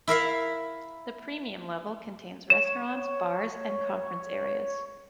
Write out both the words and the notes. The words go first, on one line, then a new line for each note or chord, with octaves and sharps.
The premium level contains restaurants, bars and conference areas.
E4 A#4 E5 F5
C#5 E7